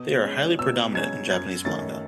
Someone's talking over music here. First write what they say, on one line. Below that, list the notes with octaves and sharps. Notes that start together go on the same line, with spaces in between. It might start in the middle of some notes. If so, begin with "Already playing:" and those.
They are highly predominant in Japanese manga.
Already playing: B2 D#6
G#3 C#4
B2 E6
G#3 C#4 G#6
F#2 G#6
D#3 A3 C#4 A6